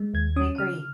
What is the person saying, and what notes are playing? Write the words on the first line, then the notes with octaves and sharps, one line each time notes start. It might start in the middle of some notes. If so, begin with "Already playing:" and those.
I agree.
Already playing: G#3
D#2 G#6
C#4 D#6
C#3 F6